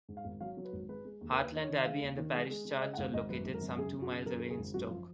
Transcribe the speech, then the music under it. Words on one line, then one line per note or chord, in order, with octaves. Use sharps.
Hartland Abbey and the parish church are located some two miles away in Stoke.
G#2
F5
G#1
F#3 F5
F#3
B4
G#1
G#3 B4
G#3
D#2
A#4
D#2 B4
D#3 D#5
C#5
D#3
G#3 F5
D#2
D#3
G#3
G#3
G#3
C#3 D#5
F#5
G#1 F5
G#1 D#5
F#2 B4
G#1
A#4
F#2
C#3 G#4
F#2
F#4
C#3
F#2 A#4
C#3 A#4
G#4
G#1
F#2 F#4
F3 F4